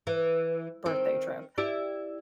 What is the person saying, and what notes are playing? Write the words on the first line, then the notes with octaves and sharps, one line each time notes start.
birthday trip
E3
D#3 C4
E4 G4 D5